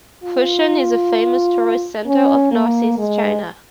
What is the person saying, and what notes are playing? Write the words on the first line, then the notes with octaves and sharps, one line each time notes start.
Fushun is a famous tourist centre of northeast China.
F4
C#4
A#3
G#3